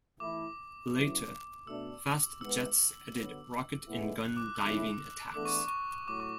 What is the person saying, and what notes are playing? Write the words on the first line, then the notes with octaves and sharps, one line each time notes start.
Later, fast jets added rocket and gun diving attacks.
E3 A3 E4 D6
F#2 C#3 F#3 B3 E4
B2 A3 D4 E6
G#2 E3 B3 E6
D3 F#3 B3
A2 G#3 B3 E4
F#6
D6
D6
E6
E2 D3 G#3 C#4 E4 D6
E2 D3 A3 D4 D6
C#6
C#6
A2 F#3 D6
C#6